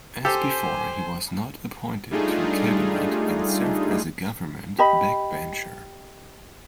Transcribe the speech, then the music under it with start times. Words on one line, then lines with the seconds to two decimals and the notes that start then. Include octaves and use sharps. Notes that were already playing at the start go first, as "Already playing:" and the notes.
As before, he was not appointed to cabinet and served as a government backbencher.
0.25 G4 A4 C5 G#5 C6
2.11 G3 A3 D4 D#4 F4 G#4
4.78 G4 D#5 B5